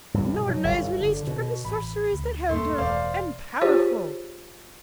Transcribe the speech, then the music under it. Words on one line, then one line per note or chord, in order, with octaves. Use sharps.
Noorna, is released from the sorceries that held her, and powerful.'
G2
B2
F#3
G1
D3
B2
A1 B5
D2
D#1 G2 A3 A#3 C6
E1 E2 C5 D5 F5
F4 G4 G#4 C5 C#5